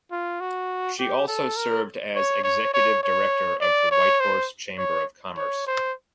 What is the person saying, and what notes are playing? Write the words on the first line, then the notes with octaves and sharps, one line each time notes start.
She also served as executive director of the Whitehorse Chamber of Commerce.
F4
F#4
G4
A4
A#4
C#5
C#5
C#5
C#5
D5
C#5
C5
C#5
C#5
C5